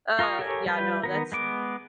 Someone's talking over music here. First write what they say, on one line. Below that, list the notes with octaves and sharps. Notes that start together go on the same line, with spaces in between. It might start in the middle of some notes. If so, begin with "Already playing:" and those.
Uh. Yeah, no. That's
F4 A#4 F5 C#6 D#6
G4 A4 A#4 C#5 G#5
G3 F4 B4 G5
D#3 B3 A#4
G#3 B3 D6